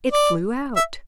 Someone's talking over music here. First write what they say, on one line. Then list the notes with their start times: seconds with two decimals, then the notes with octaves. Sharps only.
It flew out.
0.12 D5
0.76 E5